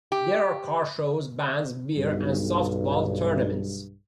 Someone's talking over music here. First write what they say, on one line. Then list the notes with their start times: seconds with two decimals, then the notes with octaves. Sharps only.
There are car shows, bands, beer, and softball tournaments.
0.12 G4
1.96 B1 G2